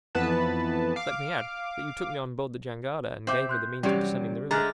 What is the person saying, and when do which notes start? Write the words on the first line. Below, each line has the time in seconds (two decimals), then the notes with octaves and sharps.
Let me add, that you took me on board the jangada and gave me the means of descending the river.
0.15 F2 E3 B3 B4 A5
0.96 F5 D6
3.27 C4 C5 E5 D6 G6
3.49 C6 F#6 G6
3.83 E2 C3 F#3 G3 C#4 G4 D5
4.51 D3 G#3 A3 A#5 F6 F#6 A6